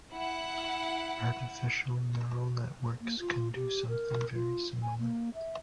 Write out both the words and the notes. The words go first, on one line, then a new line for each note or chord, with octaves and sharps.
Artificial neural networks can do something very similar.
E4 F#5
A#3
F4
G4
A#4
F4
G#5
A#3
E5